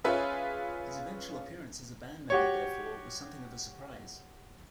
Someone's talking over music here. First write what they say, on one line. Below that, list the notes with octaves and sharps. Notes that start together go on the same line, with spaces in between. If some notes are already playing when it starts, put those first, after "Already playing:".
His eventual appearance as a band member, therefore, was something of a surprise.
C#4 F4 G#4 B4 E5
F#4 G4 C#5